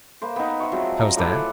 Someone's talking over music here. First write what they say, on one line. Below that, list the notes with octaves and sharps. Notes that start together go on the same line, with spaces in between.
How's that?
A#3 B4 C5
B3 D#4
C5 E5 C#6
F3 F#3 G#3 C4
A#5
A2 A4 B4 D6